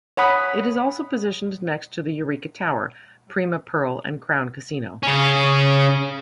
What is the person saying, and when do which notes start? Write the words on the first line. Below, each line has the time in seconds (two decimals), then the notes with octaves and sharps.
It is also positioned next to the Eureka Tower, Prima Pearl and Crown Casino.
0.17 C#5 F#5 B5 D#6
5.03 C#3 C#4